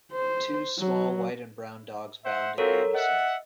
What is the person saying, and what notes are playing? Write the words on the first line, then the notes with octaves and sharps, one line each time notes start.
Two small white and brown dogs bound in unison.
C5
F#3
C5 E5 F#5
C4 F4 F#4 A4 A#4 C#5
D#5 E5 F#5